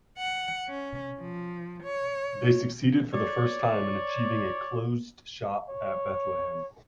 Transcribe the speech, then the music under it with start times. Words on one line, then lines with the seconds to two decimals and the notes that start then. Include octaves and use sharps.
They succeeded for the first time in achieving a closed shop at Bethlehem.
0.18 F#5
0.69 C#4
1.21 F3
1.84 C#5
3.14 C#5 D5
5.70 C#5